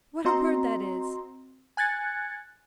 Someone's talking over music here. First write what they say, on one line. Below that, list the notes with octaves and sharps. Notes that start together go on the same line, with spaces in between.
What a word that is!
C4 F#4 D#5 A#5 C6
G#5 F#6 G#6 A6 C#7